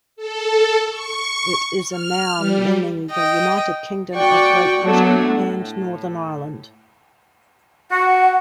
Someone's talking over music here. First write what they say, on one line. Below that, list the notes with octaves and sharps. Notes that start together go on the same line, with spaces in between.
It is a noun meaning "the United Kingdom of Great Britain and Northern Ireland".
A4
C#6
F6
G3
D#5 G5
F#4 D5 G5 C#6
F#3 A3 B3 D4 F#4
A2
F#4 F#5